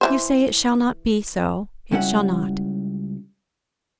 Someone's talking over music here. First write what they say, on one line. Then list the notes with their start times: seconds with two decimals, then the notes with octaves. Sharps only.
If you say it shall not be so, it shall not.
0.01 E3 B3 C5
1.91 C#2 G3 C#4 E4 F#5